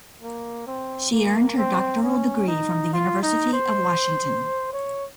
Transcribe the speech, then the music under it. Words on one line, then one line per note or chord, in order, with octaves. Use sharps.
She earned her doctoral degree from the University of Washington.
A#3
C4
A#3
C4
C#4
D#4
F4
D#4
C5
C#5